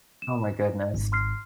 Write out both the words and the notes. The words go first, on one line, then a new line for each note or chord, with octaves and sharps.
Oh my goodness.
E7
G#1
C6 F6 C7